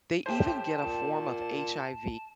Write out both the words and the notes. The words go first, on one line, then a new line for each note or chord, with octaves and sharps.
They even get a form of HIV
A2 G4 C5 A5
A#2